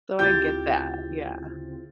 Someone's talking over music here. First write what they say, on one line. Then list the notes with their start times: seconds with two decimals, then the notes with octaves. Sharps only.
So, I get that, yeah.
0.19 D2 C#3 C4 E4 F4 G4 G6 A6